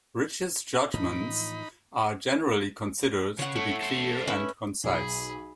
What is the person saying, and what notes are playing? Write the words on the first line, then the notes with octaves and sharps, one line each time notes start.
Rich's judgments are generally considered to be clear and concise.
A2 E3 F3 D#4 B5
C#3 C#5 F#5
A3 E4 C#5
A4 C5
C#4 B4 E5
B1 G#4 B5